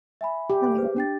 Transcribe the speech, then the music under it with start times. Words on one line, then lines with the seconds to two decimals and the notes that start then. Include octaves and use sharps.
Oh my god.
0.21 E5 G#5 B5
0.50 G4
0.78 G#4 B4 C5
0.97 D4 G5 A6